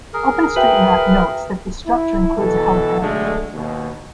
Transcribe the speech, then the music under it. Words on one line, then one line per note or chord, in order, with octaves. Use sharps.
OpenStreetMap notes that the structure includes a helipad.
G#4 A#4
F#4 B4 E5 G5
E4
B2 E3 A4
B1 D3 G#3 A3
D#2 B2